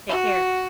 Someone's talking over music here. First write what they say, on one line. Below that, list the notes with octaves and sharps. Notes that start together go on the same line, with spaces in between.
Take care.
F#4